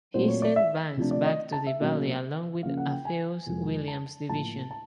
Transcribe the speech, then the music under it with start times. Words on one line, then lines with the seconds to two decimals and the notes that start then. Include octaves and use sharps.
He sent Banks back to the Valley along with Alpheus Williams's division.
0.14 A#2 F#3 A3 C4 C5
0.28 C#5
0.42 D5
0.56 E5
0.97 C3 F3 A3 D4
1.11 D5
1.25 D#5
1.52 A5
1.67 E5
1.80 B2 F#3 A#3 C#4
2.63 C#3 F3 A#3 F5
2.77 F#5
2.91 G5
3.05 G#5
3.46 F2 C3 F3 G#3
3.88 A5
4.29 A2 F3 A#3 A5
4.71 A5